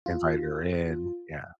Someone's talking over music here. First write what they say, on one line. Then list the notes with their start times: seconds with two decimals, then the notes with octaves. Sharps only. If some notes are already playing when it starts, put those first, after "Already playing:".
and invited her in. Yeah.
0.06 F4